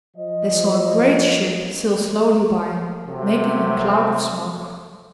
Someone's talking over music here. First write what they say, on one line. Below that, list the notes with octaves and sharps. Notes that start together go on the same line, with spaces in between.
They saw a great ship sail slowly by, making a cloud of smoke.
F3 D#5
C3 F#3 A3